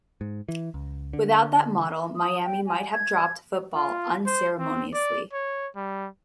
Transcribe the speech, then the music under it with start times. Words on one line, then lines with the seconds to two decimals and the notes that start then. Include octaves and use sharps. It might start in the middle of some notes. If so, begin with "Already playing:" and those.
Without that model, Miami might have just dropped football unceremoniously.
0.21 G#2
0.49 E3
0.74 C#2
1.13 D3
2.16 D#6
2.45 G5
2.67 G#5
2.93 G#6
3.76 F4
4.26 C5
4.59 C4
4.93 D5
5.33 C#5
5.76 G3